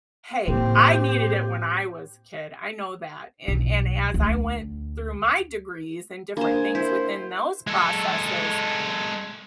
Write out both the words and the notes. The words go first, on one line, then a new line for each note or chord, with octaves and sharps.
"Hey, I needed it when I was kid," I know that. And and as I went through my degrees and different things within those processes,
A2 A#3 C4 G4
B1
D2
A#3 D4 C5 G#5
E4 A#4 C5
G#3 A4